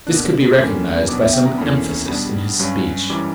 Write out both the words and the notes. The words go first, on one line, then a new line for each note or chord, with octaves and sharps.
This could be recognized by some emphasis in his speech.
B2 A#3 D4 F#6
E2 D3 G3 A#3 C#4
B2 F#3 B3 D4 D6
E5
G5
A#5
E2 D3 A#3 C#4 B5
B2 G3 B3 D4 B5
G2 F#3 C#4
F#2 E3 G3 C#4 D6